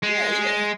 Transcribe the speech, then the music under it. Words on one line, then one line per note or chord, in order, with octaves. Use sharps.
Yeah, yeah.
G#3